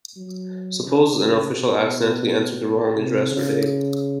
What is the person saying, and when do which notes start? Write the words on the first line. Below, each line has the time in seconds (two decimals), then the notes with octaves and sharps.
Suppose an official accidentally entered the wrong address or date?
0.17 F#3
0.87 C#3
1.56 B2
2.97 C3
3.31 C#3